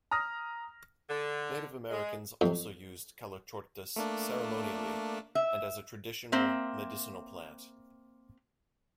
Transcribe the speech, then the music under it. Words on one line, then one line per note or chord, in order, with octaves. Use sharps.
Native Americans also used "Calochortus" ceremonially and as a traditional medicinal plant.
A#5 D#6 F6 A#6
D3
G#3
F2
A3 A#3 D4
E5
A#3 C4 E5